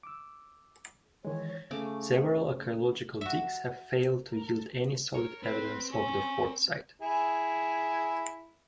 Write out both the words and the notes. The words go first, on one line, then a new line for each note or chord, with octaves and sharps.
Several archaeological digs have failed to yield any solid evidence of the fort's site.
D6 E6
D#3 E3 G#3 C#5
C#3 A3 D6
F#4 E5
A#4 C#5
C4 B4
C#4
E4 G#4